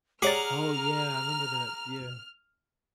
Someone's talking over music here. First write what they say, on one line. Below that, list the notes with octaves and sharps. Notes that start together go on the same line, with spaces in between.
Oh yeah, I remember that yeah.
G4 G#4 C#5 D5 F#5 A#5 D6 F6